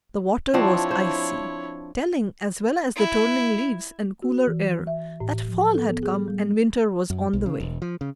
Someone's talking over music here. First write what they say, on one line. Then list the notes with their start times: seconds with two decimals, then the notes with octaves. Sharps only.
The water was icy, telling, as well as the turning leaves and cooler air, that fall had come and winter was on the way.
0.54 F3 C4 D4 E4 C#5
0.91 C5
2.96 E4
4.22 F#4
4.47 E3
4.87 E5
5.20 A2
5.49 F3
5.74 A4
5.89 B3
6.03 G#4
6.28 G3
7.10 F#2
7.33 B1
7.46 C#3
7.60 E1
7.82 F3
8.01 C#3